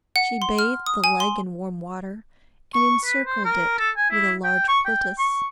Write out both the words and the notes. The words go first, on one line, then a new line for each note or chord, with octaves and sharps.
She bathed the leg in warm water, and encircled it with a large poultice.
F#5
C6
F6
D#6
G#5
C6
C#6
B4
C5
A#4
A4
G#5
E4
G5
C#6
G5
C#6